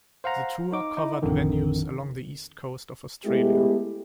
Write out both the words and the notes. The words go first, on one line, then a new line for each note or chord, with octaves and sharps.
The tour covered venues along the east coast of Australia.
C5 F5 F#5 A#5
D#4 D6
D#4 E4
A1 F2 D3 D#3
G#3 A3 B3 E4 G4